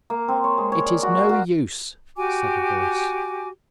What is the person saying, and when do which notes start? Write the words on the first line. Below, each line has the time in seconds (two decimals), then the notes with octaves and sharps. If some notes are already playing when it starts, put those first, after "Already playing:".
"It is no use," said a voice.
0.10 A#3
0.28 C4
0.44 C#5
0.58 G#3
0.72 C#5
0.86 D5
1.03 F#4
1.18 F5
1.29 F#4
2.17 F#4 G4 G#5 D6